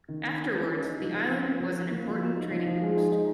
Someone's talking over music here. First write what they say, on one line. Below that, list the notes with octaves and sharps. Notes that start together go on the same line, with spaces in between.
Afterwards, the island was an important trading post.
D#3
C#4
C#4
C#4
C#4
D#4
F3
F3
F3
F3
F3
F#4
A#3
F3
F#4
D#4
F3
F3
G#3
D#4
D#4